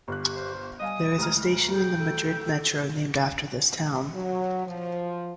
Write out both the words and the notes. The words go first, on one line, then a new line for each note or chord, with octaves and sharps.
There is a station in the Madrid Metro named after this town.
G1 G4 F#6
C5
G3 D#5 F5 G#5 D#6
D2 G#3 A#5 F6
G#4 G5
A4
F#3
F3